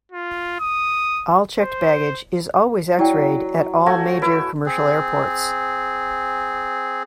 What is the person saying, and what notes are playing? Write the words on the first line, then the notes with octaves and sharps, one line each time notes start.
All checked baggage is always x-rayed at all major commercial airports.
F4
D#6
C5
F#3 E4 D5 G5
A3 F#4 F5 G#5 C#6
E4 B4
C4 G#4